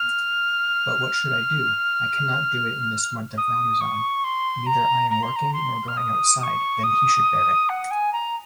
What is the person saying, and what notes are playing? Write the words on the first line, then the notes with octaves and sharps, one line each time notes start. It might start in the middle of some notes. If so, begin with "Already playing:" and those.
But what should I do, I cannot do it in this month of Ramzan, Neither I am working nor going outside, then he should bear it.
Already playing: F6
D#6
C#6
C6
A#5
A#5
C6
A#5
C6
F6
D#6
D#6
C#6
D#6
F#5
G#5
A#5